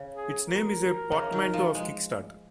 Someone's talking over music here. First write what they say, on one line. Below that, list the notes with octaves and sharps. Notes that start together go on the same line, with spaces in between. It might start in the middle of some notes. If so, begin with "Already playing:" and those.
Its name is a portmanteau of "kick start".
Already playing: C#3
G#4
A#4
C#3
D#3
F3
G#3